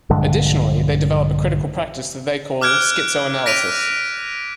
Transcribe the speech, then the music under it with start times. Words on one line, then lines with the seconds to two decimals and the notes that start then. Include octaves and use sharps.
Additionally, they develop a critical practice that they call schizoanalysis.
0.10 A#1 G2 D3 G#3
2.61 D6 F6 F#6 G#6 D7
3.46 A#6 B6 D7 D#7 F7